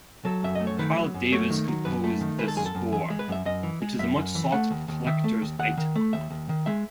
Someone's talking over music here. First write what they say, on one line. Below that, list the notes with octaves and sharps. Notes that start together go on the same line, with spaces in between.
Carl Davis composed the score, which is a much-sought collector's item.
F#3 A4
F#2 E5
D#5
A3
C#5
D#3 B4
F#3
F#2
A3 C#5
D#3
F#3
F#2 B4
A3
D#3
G#3 B4
A4
F#2 G#4
A4
F#2
E3 G#4
G#3
B4
F#2 E5
F#2 D#5
E3
G#3
F#2 E5
F#2
E3
A3 F#5
D#2
D#2
D#3 E5
A3
D#2
D#2 F#5
D#3
A3
D#2 E5
D#2
D#3
G#3 E5